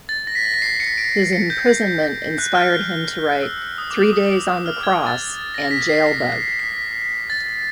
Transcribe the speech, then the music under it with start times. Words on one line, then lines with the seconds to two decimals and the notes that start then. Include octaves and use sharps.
His imprisonment inspired him to write "Three Days on the Cross" and "Jailbug".
0.09 A6
0.27 A#6
0.35 B6
0.45 A#6
0.54 B6
0.62 C7
0.80 C#7
0.98 D7
1.33 C#7
1.50 G6
2.38 F#6
2.55 F6
3.43 E6
3.78 D#6
3.91 D6
4.02 D6
4.13 D#6
4.49 D#6
4.66 F6
4.83 G#6
5.07 A6
5.54 A#6
5.71 B6
5.89 C7
6.06 B6
6.60 B6
7.30 A6